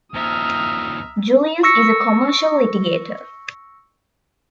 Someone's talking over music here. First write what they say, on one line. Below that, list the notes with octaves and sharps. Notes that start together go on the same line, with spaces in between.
Julius is a commercial litigator.
D#2 F3 E5 A#5 D#6 F6
C#6 E6 A#6 C#7